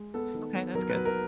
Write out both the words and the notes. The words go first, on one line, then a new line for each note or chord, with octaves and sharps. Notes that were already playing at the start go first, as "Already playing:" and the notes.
Okay, that's good.
Already playing: G#3
B3 A4
D#3
B3
F#3 A#4
B4
F#3
A#4